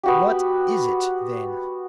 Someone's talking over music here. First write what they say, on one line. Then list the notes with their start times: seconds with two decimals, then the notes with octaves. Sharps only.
"What is it, then?"
0.03 B3 F#4 G4